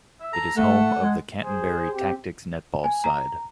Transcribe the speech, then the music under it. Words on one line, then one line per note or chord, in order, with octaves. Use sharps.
It is home of the Canterbury Tactix netball side.
E5
A4 A#5
A3 A4 F#5
G#3
G#4 C5
C4 G4
G#5
A#5